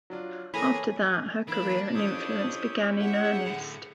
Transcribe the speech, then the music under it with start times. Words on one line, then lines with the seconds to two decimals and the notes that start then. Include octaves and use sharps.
After that her career and influence began in earnest.
0.10 F#3 D4 F4
0.54 E3 A#3 G#4 A4 B4 C#5 B5 A#6
1.48 E3 A#3 D4 B5
1.95 F2 C#4 E4 G4 D#6
3.01 G#4 E5 F#5
3.46 A2 D3